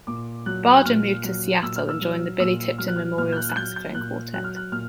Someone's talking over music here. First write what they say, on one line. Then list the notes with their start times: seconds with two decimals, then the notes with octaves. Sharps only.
Barger moved to Seattle and joined The Billy Tipton Memorial Saxophone Quartet.
0.07 A#2 D6
0.46 F#3 F#6
0.75 F#6
0.85 A#2 F6
1.24 F#3
1.62 A#2 E6
1.76 F6
1.89 E6
2.01 F#3
2.40 A#2 E6
2.78 F#3 F6
2.88 F#6
2.96 F6
3.18 A#2 F6
3.32 G6
3.37 F#6
3.49 F#6
3.57 F#3 G6
3.76 G6
3.95 A#2 F#6
4.33 F#3 F#6
4.44 F6
4.56 F#6
4.72 A#2 F6